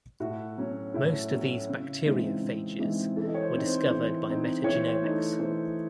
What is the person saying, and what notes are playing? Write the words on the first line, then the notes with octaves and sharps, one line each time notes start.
Most of these bacteriophages were discovered by metagenomics.
A2 F#4
F#3 C#4
A2 E4
F#3 C#4
C#3
E3 G#3 C4 D#4
C#3
E3 G#3 C4 D#4
E3 A4
D#5
C#5
C5
C4 D#4
C5
E3
C4 D#4
E3 C#5
C5
C#5
A3 D#4
E3 C5